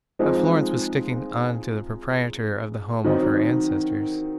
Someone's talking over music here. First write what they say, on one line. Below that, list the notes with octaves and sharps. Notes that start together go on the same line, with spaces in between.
But Florence was sticking on to the proprietor of the home of her ancestors.
F3 G#3 C4 D#4
D#3 F#3 C4 D#4